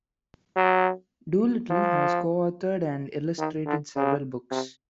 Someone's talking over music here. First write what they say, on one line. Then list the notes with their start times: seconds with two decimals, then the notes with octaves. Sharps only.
Doolittle has also co-authored and illustrated several books.
0.56 F#3
1.70 F3
3.39 D#3
3.66 D3
3.96 C#3
4.51 C3